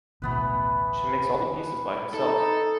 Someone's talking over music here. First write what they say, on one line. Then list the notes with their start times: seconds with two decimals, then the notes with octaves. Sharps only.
She makes all the pieces by herself.
0.22 A1 D2 B2 E3 B3 B4
2.14 D#4 A4